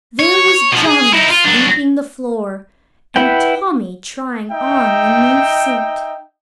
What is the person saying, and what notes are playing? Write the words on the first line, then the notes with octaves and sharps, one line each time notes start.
There was Johnny sweeping the floor, and Tommy trying on the new suit.
C#5
B2 F3
G#4
D#4 E4
F4
F#3 D4
E4 B4 F#5 G5
D#4 E5 G5